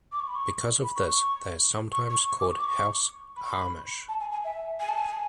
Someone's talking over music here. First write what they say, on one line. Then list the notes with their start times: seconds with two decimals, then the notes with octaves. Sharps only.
Because of this, they are sometimes called "House Amish".
0.12 D6
0.20 C#6
0.28 B5
0.36 C#6
0.84 B5
0.96 C#6
1.08 C#6
1.92 C#6
2.10 C#6
2.28 C#6
2.40 D6
2.52 C#6
2.58 D6
2.64 C#6
3.36 B5
3.44 C#6
3.50 B5
4.09 A5
4.20 G#5
4.32 G#5
4.44 E5
4.80 G#5
4.89 A5
4.98 G#5